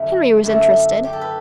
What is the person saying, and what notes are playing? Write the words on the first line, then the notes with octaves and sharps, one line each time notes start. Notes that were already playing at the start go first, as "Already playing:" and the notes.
Henry was interested.
Already playing: F#2 D3 A3 E4
F#2 D3 A3 E4
G4
A4
B4